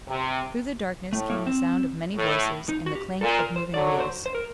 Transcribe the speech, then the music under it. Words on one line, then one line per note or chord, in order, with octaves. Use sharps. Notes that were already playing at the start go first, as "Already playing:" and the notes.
Through the darkness came the sound of many voices and the clank of moving wheels.
C3
A2 A3
A#3
C4
A2
D#4
F#4
G4
A#2 A4
A#4
C5
D3 F#3 D5
C5
C5
A#4